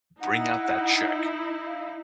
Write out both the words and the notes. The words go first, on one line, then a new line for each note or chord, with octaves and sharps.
bring out that check,
D#4 E4 F#5
F5